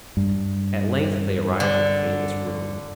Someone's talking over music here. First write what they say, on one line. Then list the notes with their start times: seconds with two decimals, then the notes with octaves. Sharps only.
At length they arrived at the famous room.
0.17 G2
1.60 D3